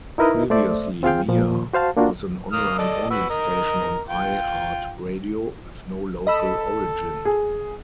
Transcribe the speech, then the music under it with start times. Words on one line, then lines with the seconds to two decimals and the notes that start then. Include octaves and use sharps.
Previously, Mia was an online-only station on iHeartRadio with no local origin.
0.18 D#4 E4 A#4 B4 D#5
0.50 A3 C5 D5 E5
1.03 C4 F4 G#4 F5 G5
1.29 A#2 F3
1.73 F#4 C5 F5 A5
1.97 A#3 D4 F4 F#4
2.52 A#3 D#6 F6
2.78 A4 D5 D#5
3.10 F#4 B4 E6
3.30 A#4 D#5
4.09 F4 G5
6.27 A4 D#5 B5 E6
7.25 G#4